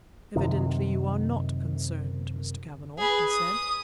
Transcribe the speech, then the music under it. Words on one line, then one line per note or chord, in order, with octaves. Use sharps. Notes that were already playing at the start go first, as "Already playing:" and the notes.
"Evidently you are not concerned, Mr. Cavanagh," he said.
F#2 C3 D#3
G#4 B4
D#6